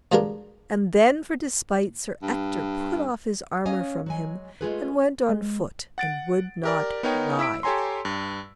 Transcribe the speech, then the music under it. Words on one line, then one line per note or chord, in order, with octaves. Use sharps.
And then for despite Sir Ector put off his armour from him, and went on foot, and would not ride.
B2 F3 G3 G#3 D4 A#4
G2
C#4 C#5 D#5 F5 G#5
F#3 G#3 G#5
G#3 A3 F4 G#4 A4 B4
G#3
F#5 A6 D7
G4 A#4 D5
B3 D#4 A#4 C#5 G5
E4 E6 B6 D7
G4 A4 C#5 G#5 A#5 C6
G2